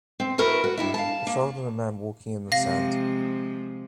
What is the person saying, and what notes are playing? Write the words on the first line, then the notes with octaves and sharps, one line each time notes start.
A child and a man walking in the sand.
C4
E4 F#4 A#4 B4
F#4
G2 E4 E5
F5 A5
A#3
C3 F3 G#3 F5 A#6